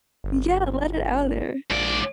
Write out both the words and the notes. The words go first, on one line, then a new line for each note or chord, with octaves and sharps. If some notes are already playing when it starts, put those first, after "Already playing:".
Yeah, let it out, er
G1
A#1 G#2 D5